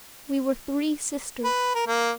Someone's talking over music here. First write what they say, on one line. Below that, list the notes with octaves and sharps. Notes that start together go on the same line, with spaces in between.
We were three sisters.
B4
A#4
A#3